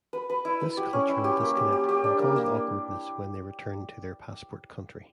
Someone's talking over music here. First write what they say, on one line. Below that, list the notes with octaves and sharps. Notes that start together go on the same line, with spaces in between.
This cultural disconnect can cause awkwardness when they return to their passport country.
B4
B4
E4
B4
G4
C#4
E4
G4
A#3
G4
G4
G4
D4
A#3
A#3